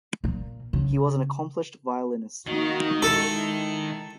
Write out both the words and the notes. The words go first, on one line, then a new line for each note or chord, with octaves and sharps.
He was an accomplished violinist.
A#2
C#3
D#3 A#3 D#4 F#4
G#3 E4 A4